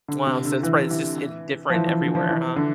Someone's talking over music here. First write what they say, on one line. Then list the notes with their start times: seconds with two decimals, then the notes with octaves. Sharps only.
Wow, since probably it's just different everywhere, huh?
0.08 D3
0.27 C3
0.45 D3
0.63 E3
0.91 E3
1.70 F3
1.74 E3
1.87 E3
2.01 D3
2.15 F3
2.29 E3
2.56 D3